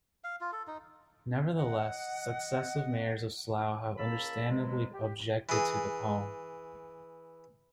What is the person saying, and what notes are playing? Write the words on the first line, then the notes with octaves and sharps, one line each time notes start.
Nevertheless, successive mayors of Slough have understandably objected to the poem.
F5
F4
A4
D#4
D#5 F#5
C#2 A#3 A#4 A5 B5 E6
B2 F3 F#3 G#3
G4
E3 G#4